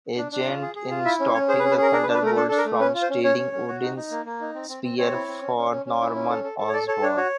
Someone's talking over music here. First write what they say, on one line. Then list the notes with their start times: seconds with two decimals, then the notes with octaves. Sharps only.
Agent in stopping the Thunderbolts from stealing Odin's spear for Norman Osborn.
0.17 D4
0.32 D4
0.46 F4
0.62 G#4
0.76 G#4
0.91 F4
1.05 E4 E5
1.20 C#4
1.34 C#4 C#5
1.48 G#4 C5
1.59 B4
1.63 C#4
1.71 B4
1.78 G#4 A#4
1.92 D4 A#4
2.03 B4
2.07 D4
2.14 B4
2.22 A3 A#4
2.36 D4 A4
2.48 D4 A4
2.58 A#4
2.65 A3
2.79 C#4 B4
2.94 F4
3.02 C5
3.10 C#4
3.23 C#4 C#5
3.38 C#4
3.52 C#4
3.68 F#4
3.82 D#4
3.96 D#4
4.11 A#3
4.25 A#3
4.41 D#4
4.54 C4
4.69 C4
4.84 C4
4.98 C4 C#5
5.13 E4
5.28 C4
5.42 C#4
5.57 C#4
5.71 C#4
5.86 C#4
6.01 E4
6.15 C#4
6.30 A4
6.44 A4
6.59 A4
6.69 C#5
6.73 A4 D5
6.88 A4 C#5
7.03 D4 C#5
7.17 F#4 C#5